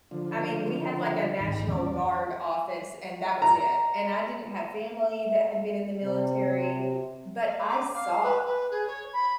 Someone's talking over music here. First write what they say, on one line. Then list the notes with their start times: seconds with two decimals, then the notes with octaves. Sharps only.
I mean, we had, like, a national guard office and that was it, and I didn't have family that had been in the military, but I saw
0.11 D3 F3
1.40 G#1 D#3
1.68 E2 C#4 D5
3.42 A#5
4.99 E5
6.04 C3
7.45 F5
7.59 D6
7.94 F5
8.23 B4
8.45 B4
8.71 G#4
8.87 C#5
9.13 B5